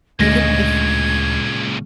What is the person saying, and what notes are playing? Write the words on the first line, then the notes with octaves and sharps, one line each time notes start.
you can if
D2 A#2 C#3 G#3 G#6 A#6